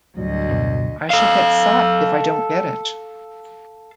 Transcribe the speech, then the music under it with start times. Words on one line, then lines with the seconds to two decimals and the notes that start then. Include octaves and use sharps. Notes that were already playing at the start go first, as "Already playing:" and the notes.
I shall get sacked if I don't get it.
0.17 D2 A2 F#3 G3 D#5
0.49 F#2 B2
1.10 A4 F5